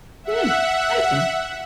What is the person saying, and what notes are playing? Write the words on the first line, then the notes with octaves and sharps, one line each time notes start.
Yeah, exactly.
E5 F#5